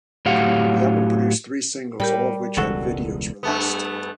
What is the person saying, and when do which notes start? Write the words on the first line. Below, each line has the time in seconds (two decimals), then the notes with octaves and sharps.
The album produced three singles, all of which had videos released.
0.26 A2 F#3 G4 F5 F#5
2.00 A2 G3 G4 A#4 G5
2.57 E1 C#2 E3 F#4 A4
3.43 G2 A3 B3